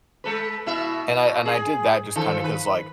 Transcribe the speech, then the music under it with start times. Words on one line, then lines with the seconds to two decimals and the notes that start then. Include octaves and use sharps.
and I and I did that just kinda 'cause, like,
0.24 G#3 A4 B4
0.66 B2 E4 E5
1.08 B2
1.46 G#4
2.16 D#3 F3 A4
2.44 B4